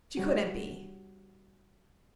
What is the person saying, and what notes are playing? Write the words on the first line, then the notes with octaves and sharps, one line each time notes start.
She couldn't be.
G3 F#4